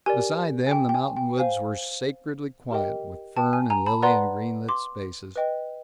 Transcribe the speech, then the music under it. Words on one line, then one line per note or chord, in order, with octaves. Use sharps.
Beside them, the mountain woods were sacredly quiet, with fern and lily and green-lit spaces.
G4 A#4 D5 G#5
G#5
G5
G5
G#5
G5
C5 F5 G#5
G4 A#4 D#5 G5
G5 A5
G#5
G#5 A#5
A5 B5
B4 D5 F#5 A#5 C6
C6 D6
B4 D#5 G5